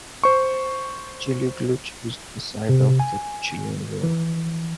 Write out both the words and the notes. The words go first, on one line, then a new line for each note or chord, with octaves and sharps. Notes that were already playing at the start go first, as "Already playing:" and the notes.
Chili Gulch is the site of the Chilean War.
C5 C#6
C3
G#5
E3